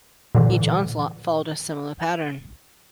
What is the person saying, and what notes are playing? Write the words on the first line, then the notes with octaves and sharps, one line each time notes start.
Each onslaught followed a similar pattern.
A#2 D3 E3